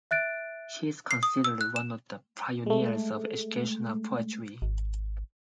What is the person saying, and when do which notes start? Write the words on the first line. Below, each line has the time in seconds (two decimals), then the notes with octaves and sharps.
He is considered one of the pioneers of educational poetry.
0.11 E5 F#6 A6 D7
1.11 C7
1.23 D#6
1.44 E6
1.61 F#6
1.76 E7
2.66 G#3 A3
4.62 G#1